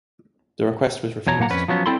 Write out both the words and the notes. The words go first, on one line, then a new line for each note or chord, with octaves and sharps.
The request was refused.
E2 B2 C#5 A#5
B1 A#2 A#3 F#5 A#5
F2 C#4 B4
F3 F#3 B3 C#4
G3 C4 E4 A4 B5 C6